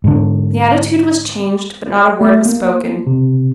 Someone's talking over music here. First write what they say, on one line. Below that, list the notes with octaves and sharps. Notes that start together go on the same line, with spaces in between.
The attitude was changed, but not a word was spoken.
G#2 D3
A3
A#3
C3